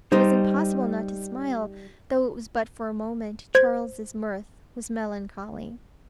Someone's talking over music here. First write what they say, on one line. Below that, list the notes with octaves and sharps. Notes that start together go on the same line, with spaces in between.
It was impossible not to smile, though it was but for a moment,--Charles's mirth was melancholy.
G3 D#4 C5
C5 G#6